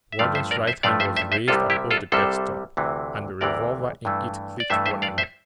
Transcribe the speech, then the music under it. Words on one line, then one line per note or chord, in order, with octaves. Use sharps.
The warden's right hand was raised above the desk top, and the revolver in it clicked warningly.
E5
G2 F3 A3 D5 F5
C5 E5
A#4 D5
C5 E5
G2 F3 A3 D5 F5
C5 E5
C5 E5
C5 E5
C2 C3 G3 F4 A4
E4 G4
F4 A4
C2 C3 G3 A4 C5
D2 C3 E3
D2 C3 E3 A#4 D5
G2 E3 A3
D5
G2 E3 A3 C5 E5
C5 E5
D5 F5
C5 E5